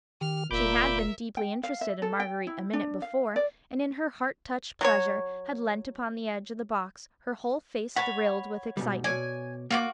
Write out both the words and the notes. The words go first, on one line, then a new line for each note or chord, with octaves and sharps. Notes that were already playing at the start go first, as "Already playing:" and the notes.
She had been deeply interested in Marguerite a minute before, and, in her heart-touched pleasure, had leant upon the edge of the box, her whole face thrilled with excitement.
D#3 G4 F6
F1 A#2 A#4 E5 B5 D6 G6
G5
F5
E5
A4
G5
E4
D4
F5
D5
F#3 F#4 C#5
C#5 F#5 A5 B5
G#2 B2 G3
B2 C#5 D5 G#5
A#3 F4 F#4 D6